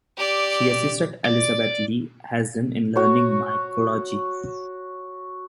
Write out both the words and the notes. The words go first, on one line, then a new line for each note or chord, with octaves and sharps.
She assisted Elizabeth Lee Hazen in learning mycology.
G4 D5
D5
F#4 C#5